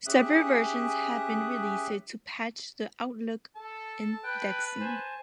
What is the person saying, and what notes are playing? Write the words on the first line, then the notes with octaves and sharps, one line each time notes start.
Several versions have been released to patch the Outlook indexing.
C#4 G4 G#4 E5 D#6 F#6
A4 A5
B4 G5 F#6
C5 G#5 A5